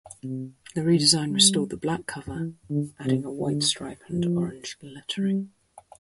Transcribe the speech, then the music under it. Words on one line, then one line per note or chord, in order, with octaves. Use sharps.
The redesign restored the black cover, adding a white stripe and orange lettering.
C3
D3
G3
E3
D3
C3
D3
F3
G3